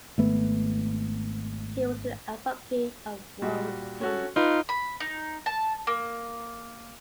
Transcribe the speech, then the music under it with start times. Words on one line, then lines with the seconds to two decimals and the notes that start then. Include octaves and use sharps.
He was an advocate of world peace.
0.18 G#1 A3 B3
3.42 A#2 G3 F#4
4.01 C#4 F#4 A4
4.36 D#4 F4 B4
4.69 B5
5.00 D#4
5.46 A5
5.87 A#3